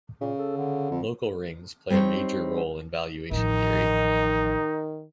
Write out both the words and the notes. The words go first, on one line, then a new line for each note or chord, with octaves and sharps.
Local rings play a major role in valuation theory.
A#2 C#3
A4
D3
F2
G3 C4 D#4 C5 C#5
A1 D#3 F3 D#4